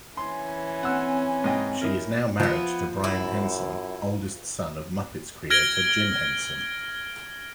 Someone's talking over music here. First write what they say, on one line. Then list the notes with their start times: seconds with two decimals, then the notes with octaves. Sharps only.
She is now married to Brian Henson, oldest son of Muppets creator Jim Henson.
0.17 E3 C#4 G#5 C6
0.83 C4 C#5 F#5 E6
1.44 G#2 D#5 G5
1.82 D#4 E4 A#4
2.40 F3 B3 E4
3.04 F#2 E4
5.50 F6 G#6 A#6 D7 F#7 G7